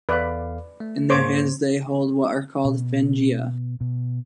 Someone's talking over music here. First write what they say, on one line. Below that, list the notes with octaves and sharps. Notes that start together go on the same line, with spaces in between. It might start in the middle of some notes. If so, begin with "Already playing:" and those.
In their hands they hold what are called "phengia".
E2 A4 B4 D5 F5
A3
G#2 A#3 G#4 C5 C#5 D6
B2
B2